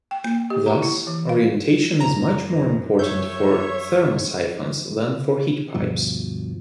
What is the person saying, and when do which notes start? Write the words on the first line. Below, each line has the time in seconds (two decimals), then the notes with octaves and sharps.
Thus, orientation is much more important for thermosiphons than for heatpipes.
0.11 G5
0.24 A#3
0.50 G4
0.66 A#5
0.82 E4
1.07 E3
1.29 F5
2.00 F#2 A#5
2.99 C#5 E5 G6
5.74 D2 G2 B2 F3